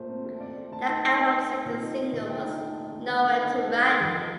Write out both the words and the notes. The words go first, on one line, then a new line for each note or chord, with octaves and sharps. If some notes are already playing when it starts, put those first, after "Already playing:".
The album's second single was "Nowhere to Run".
Already playing: A#2 A3 C5
C4
A3
C4 D5
A3
A3 A5
D#4
D#4 A5
C4
C4
C4
A#2
D#4
C4
A#2
D3 G5
D#4
A3
D3
A3
A3
D3
D#4
D#4 A4
D#4
D#4
F2
D#4